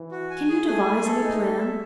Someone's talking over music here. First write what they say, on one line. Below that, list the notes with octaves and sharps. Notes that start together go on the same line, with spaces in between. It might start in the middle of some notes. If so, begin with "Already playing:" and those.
Can you devise any plan?
Already playing: E3
F#4
G#5
G#4
A3 G#5
G#4
A3 A4
D#4
A4
E5